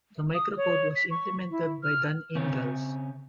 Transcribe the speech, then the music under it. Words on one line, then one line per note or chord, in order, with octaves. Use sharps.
The microcode was implemented by Dan Ingalls.
D#6
C#5
B6
C#6
E4
F6
C#3 C4 C#4 C#5